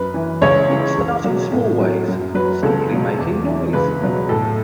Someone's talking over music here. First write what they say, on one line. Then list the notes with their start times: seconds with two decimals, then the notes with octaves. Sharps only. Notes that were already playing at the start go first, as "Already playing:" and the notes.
It starts in small ways, simply making noise.
Already playing: F#2 B4
0.14 E3
0.41 C#2 C#5
0.69 C#3 E3
0.97 C#2
1.24 B2 F#3
1.52 A2
1.80 F#3
2.08 F#2
2.35 F#3 B4
2.63 C#2 A4
2.91 B2 F#3
3.18 E2
3.46 E3
3.73 C#2 B4
4.01 B2 F#3
4.29 A2 A4